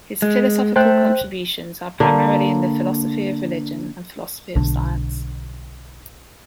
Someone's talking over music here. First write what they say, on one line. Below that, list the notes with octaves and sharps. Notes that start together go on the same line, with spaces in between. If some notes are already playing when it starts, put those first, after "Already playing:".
His philosophical contributions are primarily in the philosophy of religion and philosophy of science.
G#3
A3 C5 G5 F#6
D3 A#3
B1 D3